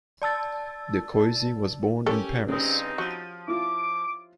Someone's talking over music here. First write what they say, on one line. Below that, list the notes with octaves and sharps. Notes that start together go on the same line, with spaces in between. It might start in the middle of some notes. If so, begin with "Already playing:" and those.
De Choisy was born in Paris.
D5 A5 E6 A6
C#4 D4 G4 A4 A#4 C#6 E6
G2 C#3 C4 C#4 D#4 D#6
F3 F#4
E4 F4 F5 D6